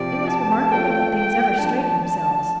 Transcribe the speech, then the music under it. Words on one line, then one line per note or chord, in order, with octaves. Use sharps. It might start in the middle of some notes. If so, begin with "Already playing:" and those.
It was remarkable that things ever straightened themselves.
Already playing: C3 F3 C4 G4 D5
A5
A3 C4 F4 A4 D5 G5
G5
F3 A3 D4 A5
A5